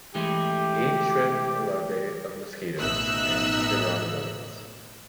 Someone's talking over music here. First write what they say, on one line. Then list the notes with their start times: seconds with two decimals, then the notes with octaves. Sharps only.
Eat shrimp and larvae of mosquitoes and chironomids.
0.15 E3 G#3 A3 G4
2.79 A1 B2 D#4 E5 E6 F#6